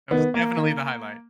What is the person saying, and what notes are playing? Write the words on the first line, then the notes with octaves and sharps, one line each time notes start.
That was definitely the highlight.
D#3 B3
A#3
D#3